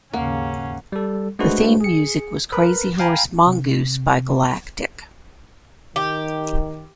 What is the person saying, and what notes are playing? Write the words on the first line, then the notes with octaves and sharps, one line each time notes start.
The theme music was "Crazyhorse Mongoose" by Galactic.
D#2 G#2 C#3 A#3 C#4 F5 F#5
G3 A4
G#3 A3 D4 F#4 B4 C5
G#4 C#7
A#4 B4 B5
F5 G5 G#5 A#5 B5
C3
D#3 G4